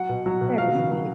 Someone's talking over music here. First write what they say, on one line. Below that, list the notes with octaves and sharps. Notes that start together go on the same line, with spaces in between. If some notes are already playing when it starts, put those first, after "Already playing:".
That is neat.
Already playing: F#3 F#5
B2
F#3
B2
F#3 F5
C#3
F#3